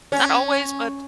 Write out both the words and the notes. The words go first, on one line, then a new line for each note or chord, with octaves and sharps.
not always, but
C#4